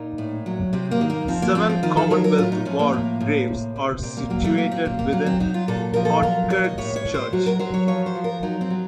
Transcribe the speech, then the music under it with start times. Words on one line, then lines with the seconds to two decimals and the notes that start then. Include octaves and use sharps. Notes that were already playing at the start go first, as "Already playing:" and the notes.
Seven Commonwealth war graves are situated within Houtkerque's church.
Already playing: A#2 D#4
0.18 A2
0.46 F#3
0.73 C3 C4
0.91 A#3
1.01 D#3
1.10 A#3
1.28 F3 C4
1.42 A#3
1.55 F3 C4
1.70 C4
1.83 D#3 F4
1.97 A4
2.10 F#3 A#4
2.24 A#4
2.38 A2 F4
2.52 D#4
2.65 F3 C#4
2.79 A#3
2.93 A2 A#3
3.20 A2
3.48 C3
3.76 C3
4.03 A#2 C4
4.17 A#3
4.30 F#3 A#3
4.44 A3
4.58 A#2 A#3
4.71 C4
4.85 A#2 A#3
4.99 A#3
5.13 F#3
5.26 C4
5.40 F#3 D#4
5.54 F4
5.68 A#2 A4
5.94 F3 A#4
6.05 A4
6.23 F#3 A#4
6.50 A#2 C#5
6.64 D#5
6.78 A2 C#5
6.96 C#5
7.05 A2
7.14 C5
7.33 F#3 F#4
7.46 A#4
7.59 F#3 C5
7.74 C#5
7.87 F3 C#5
8.06 C5
8.15 F3
8.24 A#4
8.43 F#3 D#4
8.61 C4
8.70 F#3